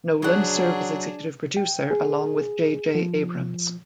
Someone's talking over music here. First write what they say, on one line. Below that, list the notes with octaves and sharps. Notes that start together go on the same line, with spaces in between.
Nolan served as executive producer along with J. J. Abrams.
C#3 F#3 D4 G#4 F#5
G5
G#4
F3